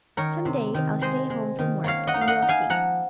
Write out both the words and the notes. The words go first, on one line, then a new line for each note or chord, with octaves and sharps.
"Some day I'll stay home from work, and we'll see."
D#3 A#4 C#5
C3
D#3
G#3 C5 D#5
G#3
D#3
A#3 C#5 F5
D#5 F#5
D#4
F5
D#5 F#5
D#4
F5 G#5
F3 F#5 A#5